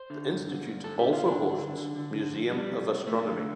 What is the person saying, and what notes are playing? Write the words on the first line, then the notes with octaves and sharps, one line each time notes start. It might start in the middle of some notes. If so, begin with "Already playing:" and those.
The Institute also hosts Museum of Astronomy.
Already playing: C5
D3
G2
D3
G2
D3 A4
D3 G4
F4
D3
D4
G2
D3
D3
D3
D3
F2
F2 G3
C3
F2
F2 A3
D3